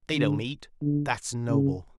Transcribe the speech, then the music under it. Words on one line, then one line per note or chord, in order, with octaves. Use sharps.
They don't eat; that's noble.
D3
D3
C#3